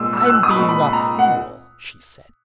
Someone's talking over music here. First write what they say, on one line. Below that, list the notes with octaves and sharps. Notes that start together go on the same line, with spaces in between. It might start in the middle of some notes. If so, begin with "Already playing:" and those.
"I'm being a fool," she said.
Already playing: A#2 G#3 E6
E6
F#6
E6
D#6
B5
A#2 G#3 C#6
B5
B5
A#5
F#5